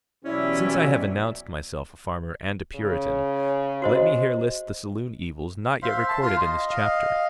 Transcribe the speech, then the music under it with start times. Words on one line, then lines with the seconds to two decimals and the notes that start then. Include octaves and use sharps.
Since I have announced myself a farmer and a puritan, let me here list the saloon evils not yet recorded in this chapter.
0.24 B2 E3 F#3 C#4 E4 G4 C5 D5
2.75 C#3
3.82 F#4 C5 D#5
5.82 C5 E5 F5 C6
6.09 A5
6.22 F4 F5 C6
6.41 D#5
6.69 D#5 F5